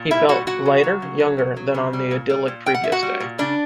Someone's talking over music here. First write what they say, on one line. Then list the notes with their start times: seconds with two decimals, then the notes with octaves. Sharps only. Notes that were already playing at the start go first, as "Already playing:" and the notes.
He felt lighter, younger, than on the idyllic previous day.
Already playing: A#2
0.11 G3 E4 E5
0.29 A#2 F#4 F#5
0.47 F#3 F#4 F#5
0.66 C#3
0.84 F#3
1.02 C#3
1.20 F#3
1.38 C#3
1.56 F#3
1.74 C#3
1.93 G3
2.11 A#2
2.30 G3
2.48 A#2
2.66 G3 G5
2.74 F#5
2.84 A#2 E5
2.92 F#4 F#5
3.03 G3
3.20 A#2
3.38 C#3 D4 D5